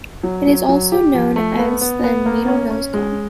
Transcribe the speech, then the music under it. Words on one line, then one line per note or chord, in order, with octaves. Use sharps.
It is also known as the needlenose gar.
F#3
F#3
F#3
G4
F3
A3
B3
B3
B3
A#3
C#4
C#4
G#3